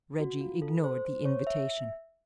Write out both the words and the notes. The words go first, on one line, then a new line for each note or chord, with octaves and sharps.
Reggie ignored the invitation.
F#4
F4
A4
C5
C5
C#5
E5